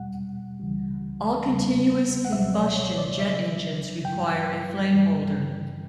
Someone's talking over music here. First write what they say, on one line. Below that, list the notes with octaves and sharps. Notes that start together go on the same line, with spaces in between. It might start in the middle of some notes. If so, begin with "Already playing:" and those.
All continuous-combustion jet engines require a flame holder.
Already playing: E2 B2 G3 F#5
C#2 C#3 E3 G3
E2 C#3 G3
F#5
C#2 B2 F#3 E5
D5
C#5
D5
D2 C#3 F#3 E5
G2 F#3 G5
G2 E3 G3